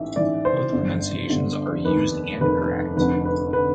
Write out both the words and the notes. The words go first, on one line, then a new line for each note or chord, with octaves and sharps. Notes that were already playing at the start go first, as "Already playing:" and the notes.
Both pronunciations are used and correct.
Already playing: A1 G#2 E3 E5
A1 G#2 E3 D5
C5
G1 G2 D3
G1 G2 D3
F1 D#2 D#3 B4
F1 D#2 D#3 B4
F1 F2 D3 B4
B4
D3 B4